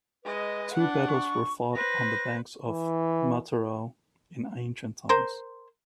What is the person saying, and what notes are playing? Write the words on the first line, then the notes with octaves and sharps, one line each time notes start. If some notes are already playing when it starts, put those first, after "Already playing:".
Two battles were fought on the banks of Metauro in ancient times.
G#3 B4 D#5
D4 F#5
C#6
B4 C5 A#6
E3
A#4 C5